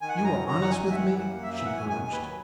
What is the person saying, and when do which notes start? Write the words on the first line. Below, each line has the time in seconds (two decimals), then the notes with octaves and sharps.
"You are honest with me?" she urged.
0.02 D#3 G#5
0.09 F#5
0.16 F#2 G#5
0.24 A#5
0.33 F#3
0.48 F#2 A#5
0.62 D#3 F#5
0.71 G#5
0.80 F#2
0.91 E5
0.95 E3 F#5
1.11 F#2
1.19 F#5
1.27 A#3
1.43 F#2 E5
1.54 E3 E5
1.66 F#5
1.74 F#2 G#5
1.89 D#3 G#5
2.05 D#2
2.13 B4
2.21 F#3